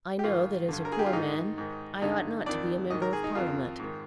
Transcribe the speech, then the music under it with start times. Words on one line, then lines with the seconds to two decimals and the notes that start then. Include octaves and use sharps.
I know that as a poor man I ought not to be a member of Parliament.
0.19 G4
0.24 G#2 D#3 F4
0.69 G2 D3
0.85 A#4
0.92 G#4
0.99 G4
1.06 F4
1.13 G#2 D#3 D#4
1.58 G#2 D#3
2.02 G2 D3 D#4
2.46 F2 D#3 D5
2.90 G#2 D#3 D#5
3.02 A#4
3.13 G#4
3.24 D#4
3.35 F2 D#3 F4
3.79 G#2 D#3